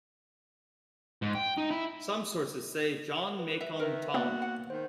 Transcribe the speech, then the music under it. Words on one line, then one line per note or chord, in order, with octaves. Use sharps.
Some sources say John Macom Thome.
G#2
G5
D#4
E4
B4
E5
D#3 A#4 B4 E5
A#3 B3 F#4 D5
F#5
D#3 C5